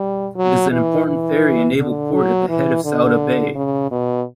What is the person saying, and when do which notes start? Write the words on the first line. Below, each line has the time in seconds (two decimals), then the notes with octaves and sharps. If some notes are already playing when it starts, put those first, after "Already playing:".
It is an important ferry and naval port at the head of Souda Bay.
Already playing: G3
0.36 F#3
0.72 E3
1.07 E3
1.78 D3
2.13 F#3
2.49 E3
2.85 D3
3.55 C#3
3.91 B2